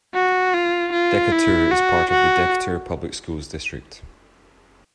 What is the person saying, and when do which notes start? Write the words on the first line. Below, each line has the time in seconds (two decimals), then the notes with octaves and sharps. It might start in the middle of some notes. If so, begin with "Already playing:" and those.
Decatur is part of the Decatur Public Schools district.
0.15 F#4
0.54 F4
0.93 F4
1.32 E4
1.71 F#4
2.11 F#4